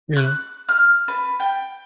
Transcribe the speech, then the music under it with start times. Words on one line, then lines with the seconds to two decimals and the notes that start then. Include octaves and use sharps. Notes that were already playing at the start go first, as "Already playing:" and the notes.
You know?
0.16 F#6
0.69 F6
1.08 B4
1.40 G5